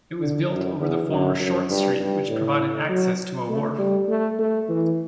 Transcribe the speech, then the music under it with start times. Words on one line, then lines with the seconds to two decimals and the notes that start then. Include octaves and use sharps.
It was built over the former Short Street which provided access to a wharf.
0.20 D3
0.49 F#2
0.80 E2
1.09 F#2
1.39 F#2
1.69 G2
1.99 G2
2.28 A2
2.89 F#3
3.49 A3
3.78 G3
4.08 A3
4.39 A3
4.69 E3